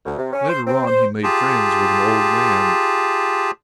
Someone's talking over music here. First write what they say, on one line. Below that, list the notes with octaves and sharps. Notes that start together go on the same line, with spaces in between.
Later on he made friends with an old man.
D2
C3
C#4
C5
C4
C5
F4 G4 G#4 A5